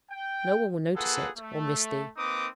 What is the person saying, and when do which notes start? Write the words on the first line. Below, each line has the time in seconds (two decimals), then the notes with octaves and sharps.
No one will notice it, or miss thee--.
0.10 G5
0.96 A#3 F4 G#4 A4 B4 F#5
1.37 A3
2.17 A#3 C4 D#4 B4 D6 D#6